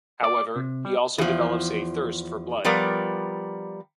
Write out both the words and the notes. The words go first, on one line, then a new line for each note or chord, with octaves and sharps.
However, he also develops a thirst for blood.
D5
C3
G3
E2 F3
F3 G3 B3 A#4 D5